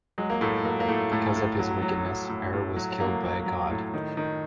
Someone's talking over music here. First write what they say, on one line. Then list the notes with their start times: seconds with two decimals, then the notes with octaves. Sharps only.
Because of his wickedness, Er was killed by God.
0.18 F#3 G#3
0.30 A#3
0.41 A2 A3
0.65 F#3 A#3
0.80 A#3
0.88 A2 A3
1.12 A2 A3
1.36 A2
1.59 F#3
1.82 F#3
2.06 F#3
2.29 A2
2.53 A2
2.76 F#3
3.00 F#3 A#3
3.23 F#3
3.46 F#3
3.70 A2
3.94 D#3
4.17 D#3